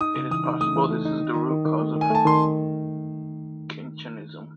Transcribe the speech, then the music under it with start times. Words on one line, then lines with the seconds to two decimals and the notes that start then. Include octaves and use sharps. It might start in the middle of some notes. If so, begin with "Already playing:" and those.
It is possible this is the root cause of cinchonism.
0.01 D#4 D#6
0.16 C#3
0.31 E3 D#6
0.45 D#4
0.61 A3 D#6
0.76 E3
0.90 A3
1.05 D#4
1.20 D#3
1.36 D#3
1.50 D#3
1.66 D#3
1.81 A3
1.96 D#3
2.01 G#5
2.10 A3 A5
2.25 D#3 C6